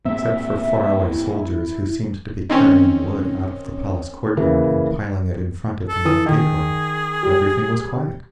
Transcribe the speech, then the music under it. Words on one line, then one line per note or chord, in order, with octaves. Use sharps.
Except for far-away soldiers who seemed to be carrying wood out of the Palace courtyard and piling it in front of the main gateway, everything was quiet.
G#2 A#3 C4 E5
E4
D#3 C4 C#4 D#5
C#3 E3 A#3
A4
E3 D#6
D#3 G#4
G3